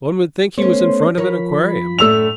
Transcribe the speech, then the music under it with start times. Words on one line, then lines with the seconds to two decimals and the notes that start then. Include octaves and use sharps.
"One would think he was in front of an aquarium!"
0.58 A3 B3 C#4 C5 C#5
1.18 F3 A#4 C#5 B5
1.99 F#2 A2 A3 D4 E6 F7